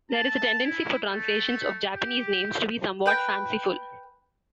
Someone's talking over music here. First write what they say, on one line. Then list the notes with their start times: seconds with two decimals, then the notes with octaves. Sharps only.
There is a tendency for translations of Japanese names to be somewhat fanciful.
0.11 A5
0.63 E4
1.05 A3
1.94 G4
3.06 B4 G5